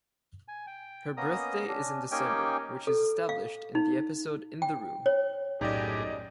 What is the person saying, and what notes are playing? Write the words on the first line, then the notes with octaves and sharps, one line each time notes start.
Her birthday is in December, which is established in the episode "In the Room".
G#5
G5
A#3 B3 C#4 D#5 A#5 D#6
C#4 D4
A#3 C#4 D#4 G4 G5 G#5
A4
F5
D#4
G5
C#5
B1 F#2 A2 D#4 G4 G#4 D5 D#5